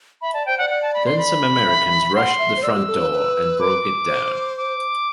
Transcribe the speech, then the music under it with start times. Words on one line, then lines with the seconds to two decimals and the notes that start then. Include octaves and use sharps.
Then some Americans rushed the front door, and broke it down.
0.21 E5 B5
0.34 D5 A5
0.46 C5 G5
0.58 D5 F#5
0.70 F#5
0.82 A5
0.94 B5
1.06 C6
1.18 B5
1.67 E5
2.15 F#5 C6
2.39 E5
2.57 C5
2.63 D5 E6
2.75 G4
2.88 A4
2.99 B4
3.12 B4
3.59 D6
4.08 C5
4.57 D6